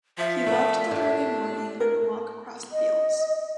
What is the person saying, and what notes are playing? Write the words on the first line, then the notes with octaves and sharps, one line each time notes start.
He loved the early morning, and the walk across the fields.
F3 E5
A#2 A3
A2 D4 G4
A#4
D#5